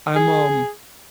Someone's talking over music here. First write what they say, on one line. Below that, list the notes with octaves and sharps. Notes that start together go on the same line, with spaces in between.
I'm, um
G#4